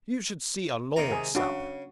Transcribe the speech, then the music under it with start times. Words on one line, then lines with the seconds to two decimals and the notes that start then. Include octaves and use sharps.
You should see a lord sup.
0.96 C3 D#3 A#5
1.12 G#4
1.35 C#3 D4 F#4